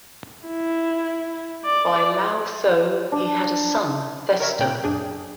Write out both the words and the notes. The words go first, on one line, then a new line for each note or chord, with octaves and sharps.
By Laothoe he had a son Thestor.
E4
D5
D4
A#4 C#5 E5
A#2 G5
F#2 D4 G#4